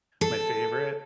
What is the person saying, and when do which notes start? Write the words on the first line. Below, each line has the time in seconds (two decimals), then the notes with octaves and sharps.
my favorite.
0.21 A4